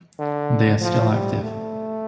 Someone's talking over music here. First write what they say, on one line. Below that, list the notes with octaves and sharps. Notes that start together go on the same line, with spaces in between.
They are still active.
D3
F3
G3
A3